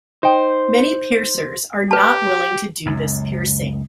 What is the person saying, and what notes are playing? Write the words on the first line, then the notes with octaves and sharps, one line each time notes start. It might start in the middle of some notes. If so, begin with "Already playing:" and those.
Many piercers are not willing to do this piercing.
D#4 C5 G5
G4 B4 A5
C#2 F#2